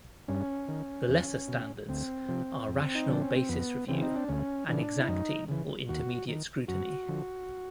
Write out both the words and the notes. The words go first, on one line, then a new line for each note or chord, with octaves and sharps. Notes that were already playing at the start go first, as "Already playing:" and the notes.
The lesser standards are rational basis review and exacting or intermediate scrutiny.
G2 C#4
D#3
E2
B2
D2 C4
C3 F3
F2
D#4
D3 F3 D4
C#4
C4
F2 B3
C#3 E3 C4
D#4
D4
D2 C#4
C#3 E3 D4
E4
F#2 D#4
C#3 E3
D#2 F#4
D#3
F#2 F#4
D3 F3